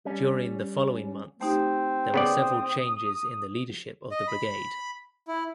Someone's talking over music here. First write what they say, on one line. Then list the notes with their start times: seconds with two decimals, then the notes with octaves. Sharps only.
During the following months there were several changes in the leadership of the brigade.
0.05 G3 C#4
1.41 A3 C4 D#4 G4
2.14 C#3 B3 D5 D#6
4.11 D#5
4.28 B5
5.28 E4